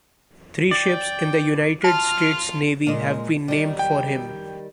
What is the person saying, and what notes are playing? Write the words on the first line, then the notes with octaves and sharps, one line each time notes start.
Three ships in the United States Navy have been named for him.
D5 G5
F4 A5 F6
A#2 G#3
D#3 G3
G5